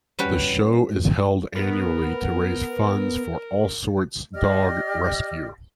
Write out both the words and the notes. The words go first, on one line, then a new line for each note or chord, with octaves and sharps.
The show is held annually to raise funds for Allsorts Dog Rescue.
G3 C#4 F#4 B4
B3 A#4
G4 D5 D#5 F6